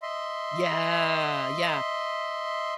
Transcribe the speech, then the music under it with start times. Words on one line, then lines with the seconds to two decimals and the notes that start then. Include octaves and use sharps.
Yeah, yeah.
0.02 D#5 E5 C6